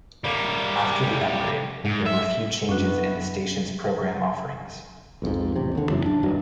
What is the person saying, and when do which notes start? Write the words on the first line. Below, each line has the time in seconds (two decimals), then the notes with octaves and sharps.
After the upgrade, there were few changes in the station's program offerings.
0.24 G3 A#3
1.85 G#2
2.06 E5
2.69 F#2 E3 B3 C#4 D4 F#4
5.22 B1 F2 G#2
5.56 E1 A1 C3
5.75 D#2 D3
5.90 F#2 C#3 E3 F#3
6.06 D1 D4
6.23 D#1 G2 D#3 F#3